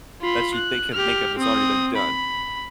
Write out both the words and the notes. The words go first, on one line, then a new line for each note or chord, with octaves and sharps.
that you think of think of has already been done.
F4 B5
F#6
G4 F6
C4 D#6
B5